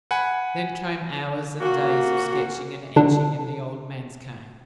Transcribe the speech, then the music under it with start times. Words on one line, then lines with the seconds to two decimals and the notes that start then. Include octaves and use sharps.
Then came hours and days of sketching and etching in the old man's cave.
0.11 F#5 G#5 B5
1.61 A#2 A#3 F#4
2.96 D3 D4